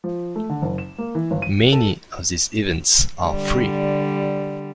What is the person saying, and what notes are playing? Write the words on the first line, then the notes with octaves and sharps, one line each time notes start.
Many of these events are free.
F3
A3
D3
F#1
E7
A#3
E3
G1
D#7
A4
D3 G3